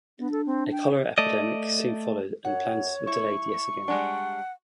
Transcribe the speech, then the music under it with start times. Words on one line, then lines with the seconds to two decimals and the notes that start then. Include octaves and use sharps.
A cholera epidemic soon followed and plans were delayed yet again.
0.19 B3 D4
0.32 A4
0.46 C4
0.72 G5
1.18 A3 D5 D#5
2.45 F#2 C#5 F#5
3.07 E4 C#6
3.88 G3 G#3 D4 F#5